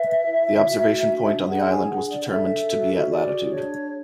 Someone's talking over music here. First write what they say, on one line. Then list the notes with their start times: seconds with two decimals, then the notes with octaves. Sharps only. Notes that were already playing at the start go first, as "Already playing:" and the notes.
The observation point on the island was determined to be at latitude.
Already playing: B4 E5
0.26 E4
0.67 F#4
1.08 D4
1.48 G#4 F#5
1.69 G#5
1.89 D4 F#5
2.09 D5
2.29 A4 E5
2.70 F#4
3.10 G#4 D5
3.51 D4 C#5